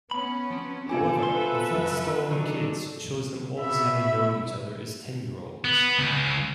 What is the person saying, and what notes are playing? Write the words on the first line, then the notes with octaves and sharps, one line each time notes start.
However, "The Flintstone Kids" shows them all as having known each other as ten-year-olds.
B3 C#4 B5
F3 C4
B3 D4 F4 A4 G#5
B4 C5 E5 C6
F#2 C#3 E4
D#3 F#3 D4 D#4 A4
B2 E5 B5
B3
C#2